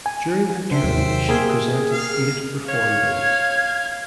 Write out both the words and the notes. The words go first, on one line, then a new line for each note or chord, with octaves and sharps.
During her term she presented eight reform bills.
G#5
C#3 D4 C5 E5 G5
D#2 C3 D#3 F#3
A#3 G4 G#4 A#4 G#6
F5
C#5 F5 G#6